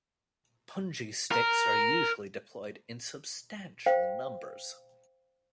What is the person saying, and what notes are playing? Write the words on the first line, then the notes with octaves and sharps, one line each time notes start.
Punji sticks are usually deployed in substantial numbers.
A#4
C5 F5 G5